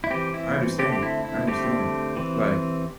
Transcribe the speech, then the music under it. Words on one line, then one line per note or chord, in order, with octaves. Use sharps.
I understand, I understand. Like
E4
E3 C4 G4
E4
D3 A3 C4 G4
G4
E4
E4
D3 A3 C4 G4
E3 C4